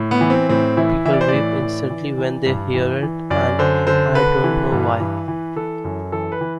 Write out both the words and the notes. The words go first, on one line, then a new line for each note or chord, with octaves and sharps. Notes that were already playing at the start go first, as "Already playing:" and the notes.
People weep instantly when they hear it, and I don't know why.
Already playing: A2
B3
E3
C4
A2 C4
E3 E4
E3 E5
D5
C5
A2 D5
E3
E3
E3
G2
E3
E3
F#2 D5
D3 C5
D3 C5
D3 B4
E3
G2
E3
E3
E3 A4
F#2
E3 A4
B4
E3